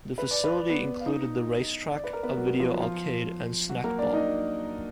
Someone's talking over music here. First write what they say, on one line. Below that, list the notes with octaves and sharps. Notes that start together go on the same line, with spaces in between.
The facility included the racetrack, a video arcade and snackbar.
B4
D5
B4
D5
B3 B4
F5
D#4 D#5
D5
B4
A#4
B3 B4
F#3 F#4
F3 F4
F3 F4
F#3 F#4
A#3 A#4
D4 D5
D#4 D#5